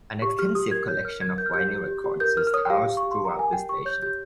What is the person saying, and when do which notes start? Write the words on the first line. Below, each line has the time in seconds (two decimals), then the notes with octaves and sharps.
An extensive collection of vinyl records is housed throughout the station.
0.22 G4 C#6
0.39 G4 F6
0.55 G4 D#6
0.71 A#4 G#6
0.88 C#5 G6
1.04 A#4 F6
1.21 A#4 G#6
1.38 A#4 G6
1.46 F6
1.54 G4 G6
1.71 G4
1.88 G4
2.04 G4
2.20 A#4 G6
2.37 A#4 F6
2.47 F6
2.54 C#5 D#6
2.65 G5
2.70 G4 F5
2.86 G4
2.97 C#6
3.03 G4
3.11 C6
3.20 A#4 A#5
3.36 A#4 G#5
3.53 G4 G5
3.69 G4 C#6
3.85 C#5 G6
4.02 G4 G6